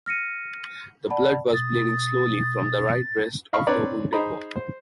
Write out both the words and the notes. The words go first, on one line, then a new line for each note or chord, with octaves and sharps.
The blood was bleeding slowly from the right breast of the wounded one.
F6 A#6 C#7 D#7
D5 F#5 A5 B5
B2 D#6 A6
D#5 F5 B5 C#6
C4 D4 B4 C#5 D5 A#5
D#4 G#4 C5 D#5 A#5 B5
C5